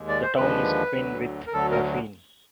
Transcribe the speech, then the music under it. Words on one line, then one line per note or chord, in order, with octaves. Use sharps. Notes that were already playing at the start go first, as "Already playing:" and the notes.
The town is twinned with Plaffeien.
Already playing: D#2 G#3
D5
C5
D#2 D3 F3 G#3 B4
D2 D3 F#3
A#4
D2 D3 F#3 A4
A#4